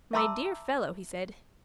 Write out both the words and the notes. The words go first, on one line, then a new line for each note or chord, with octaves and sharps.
"My dear fellow!" he said.
E5 A5 A#5 C6 D6 E6